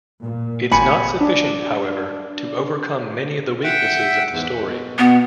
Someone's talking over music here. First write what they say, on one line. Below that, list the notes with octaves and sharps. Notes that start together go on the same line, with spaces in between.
It's not sufficient, however, to overcome many of the weaknesses of the story.
A#2
G#1 D#2 G#5 B5 C#7
D4
E5 F#5 G5
E2 G#2
B2
B2 B3